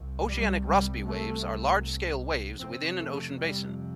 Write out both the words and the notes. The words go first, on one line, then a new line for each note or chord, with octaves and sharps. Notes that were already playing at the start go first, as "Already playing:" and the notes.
Oceanic Rossby waves are large-scale waves within an ocean basin.
Already playing: C2 C3
G3
G3
A3
F2 C3 C4
A3
G3